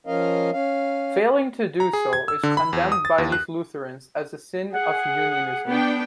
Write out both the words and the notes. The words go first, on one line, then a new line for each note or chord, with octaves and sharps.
Failing to do so is condemned by these Lutherans as the sin of unionism.
F3 C#4 A#4 D#5 F5
C#4 F5
A#5
G#4
G#6
E6
D3
B5
E2
D#6
A6
D#2
F#6
G#4 F#5
B3 D4 G5